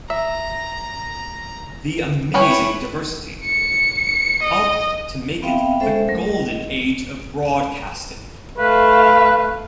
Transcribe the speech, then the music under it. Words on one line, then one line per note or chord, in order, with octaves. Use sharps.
The amazing diversity... helped to make it the golden age of broadcasting.
E5 A#5
C#4 E4 B4 C#5 G5
C#7
D#5
B3 C4 E5 F5 G5
G#3 C#4 A4 C5 E5
F#3 A3 A#4
D#5
A3 B4 F5